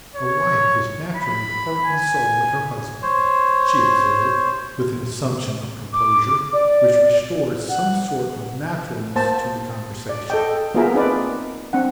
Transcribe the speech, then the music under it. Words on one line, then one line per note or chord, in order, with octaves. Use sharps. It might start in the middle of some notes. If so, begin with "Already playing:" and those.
"A wife is naturally heart and soul with her husband," she observed, with an assumption of composure which restored some sort of naturalness to the conversation.
C#5
B5
G#5
C5 C#5
D6
D5
F#5
A#3 C5 A5
D5
A4 D#5 G5
A#3 B3 F4 G#4 A#4 E5
C4 D#4 B4 D5
C4 D4 F#5